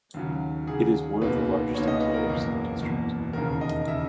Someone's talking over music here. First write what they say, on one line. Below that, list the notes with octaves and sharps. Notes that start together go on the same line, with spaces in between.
It is one of the largest employers in the district.
D#2 C#3 F#3
D#2 C#3 F#3 G#4
C#2 B2 A#3 D#4 B4
C#2 B2 A#3 D#4 C#5
D#5
B4
A#4
F#1 E2 B2 A#3
F#1 E2 B2 A#3
E1 D#2 C#3 A#4
D#5
C#3 E5